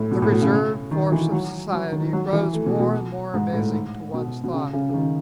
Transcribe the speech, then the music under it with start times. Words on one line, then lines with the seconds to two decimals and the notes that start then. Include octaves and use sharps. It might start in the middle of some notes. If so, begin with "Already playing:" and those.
The reserve force of society grows more and more amazing to one's thought.
Already playing: A2
0.12 B2
0.22 A2
0.32 B2
0.41 C#3
0.91 D#3
1.12 E3
1.32 F#3
1.72 F#3
1.92 D#3
2.13 F#3
2.33 E3
2.53 A3
2.66 B2
2.79 B2
3.34 G#2
3.53 A2
4.14 B2
4.44 B2
4.53 C#3
4.73 C#3
4.89 C#3
4.94 D#3